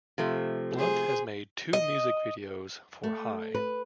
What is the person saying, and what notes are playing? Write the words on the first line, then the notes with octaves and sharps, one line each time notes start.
Blunt has made two music videos for "High".
C3 F3 A3
G#4 C5
D#5
A3
B4